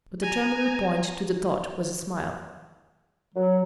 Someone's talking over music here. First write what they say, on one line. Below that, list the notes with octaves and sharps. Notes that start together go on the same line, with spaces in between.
But the terminal point to the thought was a smile.
G#5 A#5
F#3